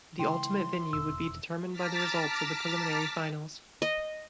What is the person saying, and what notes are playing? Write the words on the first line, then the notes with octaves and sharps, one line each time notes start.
The ultimate venue would be determined by the results of the preliminary finals.
C#3 E3 G#3 D4 G5 C6
F1 E2 B2 E6
A5 A#5 D6 F6 A6 B6
D#5